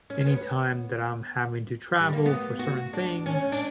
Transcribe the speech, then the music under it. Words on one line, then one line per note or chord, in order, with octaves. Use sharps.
any time that I'm having to travel for certain things,
C#4
C#4
B3
G3
A#3
B3
F#4
D4
C#4
D4